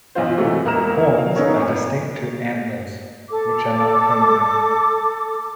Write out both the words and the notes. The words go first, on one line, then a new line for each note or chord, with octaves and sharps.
Horns are distinct to antlers, which are not permanent.
B1 E3 F4 C5
C3 E3 G#3 A3 F#4
E1 A#3 B3 A#5 F6 E7
F5
B3 C#4 D#4 A4 A#4 C#5
G#1 A#2
A4 D6